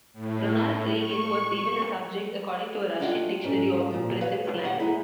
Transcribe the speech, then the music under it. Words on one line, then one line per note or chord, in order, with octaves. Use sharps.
Ronald Reagan was even a subject, according to a Russian dictionary of prison slang.
A2
C#6
D4 F4 F#4 D#5 F5 G5
G#2 C#4 A4
A#2 F3
B4 C#5 F5
G4 C#5 F#5
G#3 D#4 E4 G#4